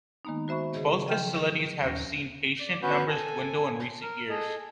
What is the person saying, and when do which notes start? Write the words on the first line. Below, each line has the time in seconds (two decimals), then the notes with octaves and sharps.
Both facilities have seen patient numbers dwindle in recent years.
0.25 D#3 G#3 A#3 B3 D#4
0.48 F#4 C5 E5 B5 C#6
0.73 C#3 G#4 D#5
1.06 F3 F#3 D#5 G5 F6 G6
1.82 D#2 A#2 C#4 F6 A#6
2.60 D5 D6
2.82 B3 C#4 F#4 B4 G6
3.08 A4 G#5
4.02 A#4
4.30 G#4 A4 D#5